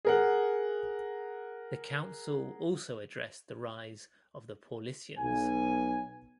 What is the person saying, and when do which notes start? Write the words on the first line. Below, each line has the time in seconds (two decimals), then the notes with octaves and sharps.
The council also addressed the rise of the Paulicians.
0.05 G#4 A#4 F#5
5.19 B1 G#5